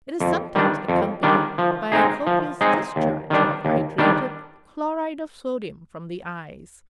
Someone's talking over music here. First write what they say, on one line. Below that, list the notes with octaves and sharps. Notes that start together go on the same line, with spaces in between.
It is sometimes accompanied by a copious discharge of hydrated chloride of sodium from the eyes.
F2
D#3 G3 D4
F2
D#3 G3 D4
F3
G#3 C4 D#4 G#4
F3
G#3 C4 D#4 G#4
D#2
D#3 G3 D4
D#2
D#3 G3 D4